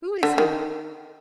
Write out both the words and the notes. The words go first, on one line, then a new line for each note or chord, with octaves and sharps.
Who is he?'
D3
D#3